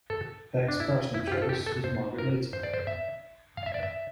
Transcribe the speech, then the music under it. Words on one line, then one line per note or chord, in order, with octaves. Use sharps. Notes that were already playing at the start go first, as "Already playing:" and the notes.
Peck's personal choice was Margaret Leighton.
A4
D4
E4
E4
G4
F4
A4
G4
A4
C5
A#4
C5
D5
C5
E5
F5
E5
D5
E5